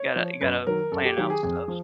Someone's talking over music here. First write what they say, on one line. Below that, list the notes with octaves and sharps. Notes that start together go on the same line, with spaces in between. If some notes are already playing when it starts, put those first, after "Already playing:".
Gotta you gotta plan out stuff.
Already playing: C#5
F3
F#2 B4
D#3 F#3 A#4
F#2 A4
G4
D#3 F#3 G4
G#4
F2 G#4
F3